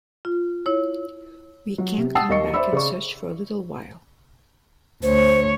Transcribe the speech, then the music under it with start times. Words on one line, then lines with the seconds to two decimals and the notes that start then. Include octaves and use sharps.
We can't come back and search for a little while.
0.25 F4
0.66 E4 C#5
1.78 F#3
1.97 C3
2.15 F#5 A5 D#6 E6 A6 C7
2.29 D#2 A#3 D#5 C#6 C#7
2.54 C5 D5 E5 B5 E6
2.73 C#3 D5 C#6
5.03 D2 C5 C#5